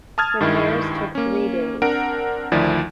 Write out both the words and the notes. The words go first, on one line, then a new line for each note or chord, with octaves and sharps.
Repairs took three days.
A5 D#6 F6 G#6 A6
G2 D#3 G#3 E4
A#3 C#4
C4 D4 A#4 F#5 D7
D2 D#3 F3 E4 D5